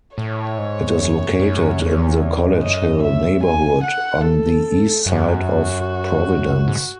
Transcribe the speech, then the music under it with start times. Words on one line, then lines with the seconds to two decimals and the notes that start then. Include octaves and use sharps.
It is located in the College Hill neighborhood on the East Side of Providence.
0.17 A2 C#5
0.58 G#2
0.99 F#2
1.39 F#2
1.80 E2
2.52 G#2
2.62 F#2 D#5
3.03 E5
3.44 G#5
3.84 F#5
4.24 A4
5.06 F#2 F#4
6.68 G#2